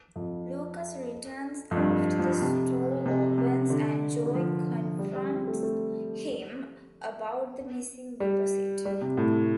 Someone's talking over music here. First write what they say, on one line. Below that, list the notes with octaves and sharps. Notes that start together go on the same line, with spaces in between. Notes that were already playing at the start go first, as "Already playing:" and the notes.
Lucas returns after the store opens and Joe confronts him about the missing deposit.
F2
F2
G2
F3
C3
C3
C3
D3
D3
F3
G3
G3
C4
A3
A3
G3
G3
C3
A2